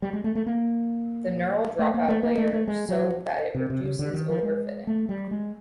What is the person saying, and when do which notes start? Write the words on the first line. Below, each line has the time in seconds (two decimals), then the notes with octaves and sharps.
The neural dropout layer so that it reduces overfitting.
0.02 G3
0.13 G#3
0.24 A3
0.35 A3
0.46 A#3
1.79 A3
1.94 A#3
2.09 A3
2.23 A#3
2.38 A3
2.53 A3
2.68 G#3
2.89 F#3
3.55 C3
3.70 C3
3.84 C#3
3.99 D3
4.13 D#3
4.29 F3
4.43 G#3
4.87 A3
5.09 G3
5.31 G#3